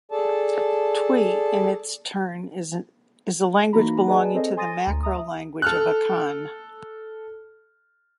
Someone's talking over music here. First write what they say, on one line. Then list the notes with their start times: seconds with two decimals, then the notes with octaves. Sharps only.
Twi in its turn is a language belonging to the macrolanguage of Akan.
0.11 G#4 A4 D5 A5
3.73 E3 A#3 D#4 F#4 A#5 B5
4.07 G#4 B4 D5 D#5 G#5 A5
4.34 C4 A4 C5 C#5 D#5
4.57 G#5 C6 D#6 A6 A#6 D#7
4.87 D2 A#5
5.03 E5 A#5 D#6
5.62 A4 F6 F#6